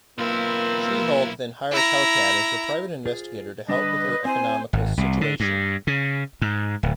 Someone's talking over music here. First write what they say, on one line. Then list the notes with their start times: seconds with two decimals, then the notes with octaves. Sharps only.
She-Hulk then hires Hellcat as her private investigator to help with her economical situation.
0.18 B1 A#3 C4 E4 F4 B4 F6
1.72 E4 A#5
3.06 F4 G#4 C5
3.69 D3 G3 D4 B4 D#5
4.25 C4 E4 C5 G#5
4.73 G#1
4.97 C2
5.21 D3
5.40 G2
5.87 C#3
6.42 G#2
6.83 D1